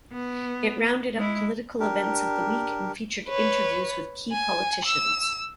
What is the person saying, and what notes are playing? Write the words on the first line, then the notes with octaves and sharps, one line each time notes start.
It rounded up political events of the week and featured interviews with key politicians.
B3
G#3 E4
D4 G4 A#4
B4 C#5
G#5
E6